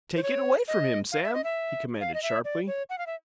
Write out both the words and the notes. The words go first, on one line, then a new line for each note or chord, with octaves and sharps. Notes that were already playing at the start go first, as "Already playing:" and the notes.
"Take it away from him, Sam!" he commanded sharply.
C5
C#5
D#5
F5
E5
D#5
E5
F5
D#5
E5
D5
C#5
F#5
F5
E5